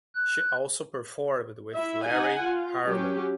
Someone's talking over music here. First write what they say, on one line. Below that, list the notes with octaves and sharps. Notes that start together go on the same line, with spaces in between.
She also performed with Larry Harlow.
F#6
E4 E5
D#4 F#5 G#5
F4
F#3 C#4 G4